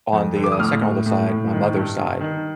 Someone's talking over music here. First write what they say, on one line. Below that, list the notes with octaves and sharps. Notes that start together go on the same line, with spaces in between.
on the, uh, second oldest side, my mother's side,
F2
D3
D6
D#6
A2 F6
A2
A2
A2
D#3
G2
G2
D#3